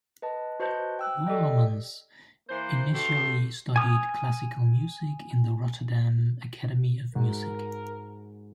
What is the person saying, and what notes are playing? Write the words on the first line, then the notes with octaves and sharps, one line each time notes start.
Vloeimans initially studied classical music at the Rotterdam Academy of Music.
B4 D#5 A5
F#4 B4 C5 D#5 A5 G6
G5 E6 F#6
G4 A4 D5 D#5 G5
E3 A#3 C5
G2 F#4 G4 A4 C6
G#5 D#6 F6
G#2 F#4 A#4